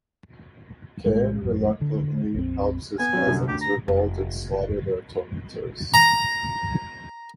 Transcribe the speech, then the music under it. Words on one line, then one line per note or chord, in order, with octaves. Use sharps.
Kane reluctantly helps his cousins revolt and slaughter their tormentors.
A#1 D#2 A2 G#3
E1 A1 F#2
D3
A#1 F2 C4
B3 G#5
F#3 C4 C#4
C2 F#2 D3
D2 G4
A#5
F1
A#5